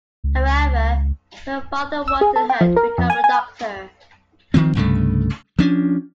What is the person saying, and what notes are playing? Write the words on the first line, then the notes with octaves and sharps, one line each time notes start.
However her father wanted her to become a doctor.
C#2
E6
G#4
A4
G5
F3
A#4
F2
G#5
G#5
D#3 F3 C4
C2 G2 C#3 A3
F3 C#4 D4